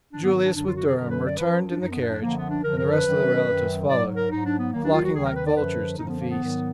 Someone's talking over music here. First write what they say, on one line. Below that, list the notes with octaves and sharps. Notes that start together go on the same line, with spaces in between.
Julius with Durham returned in the carriage, and the rest of the relatives followed, flocking like vultures to the feast.
G#2 D#3 F#3 D4
B3
B3
D4
F#2 D3 F#3 D4
F4
F#4
G#4
F#2 D3 F#3 A#4
B4
D5
F#2 F3 B4
D4
F#2 F3 D#4
B3
D4
D4
F#2 D3 F3 A#3
B3
D4
F#2 D3 F3 A#4
A#4
B4
F#2 D#3 F#3
F#2 D#3 F#3
G#2 F#3 D5
A#4
G#2 F#3 D#4
D4
B3
D#2 D#3 F#3 A#3
D4
F4
F#4
D#2 D#3 F#3 G#4
A#4
B4
D5
F#2 D3 F3 B4
F#2 D3 F3 D#4
B3
A#3
B3
G#2 D#3 F#3